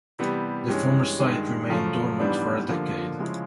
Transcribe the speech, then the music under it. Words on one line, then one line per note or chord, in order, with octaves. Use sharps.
The former site remained dormant for a decade.
C3 E3 G3 B3
G2 E3 G#3 C#4
G2 D#3 G#3
F#2 C#3 F3 A3
G#2 E3 G3 B3 D4
D3 F3 A#3
C#3 F3 G#3 C#4 E4